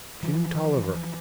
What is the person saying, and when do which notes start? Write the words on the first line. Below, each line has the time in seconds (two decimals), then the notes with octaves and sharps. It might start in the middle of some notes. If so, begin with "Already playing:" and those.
"June Tolliver."
0.23 E3 F3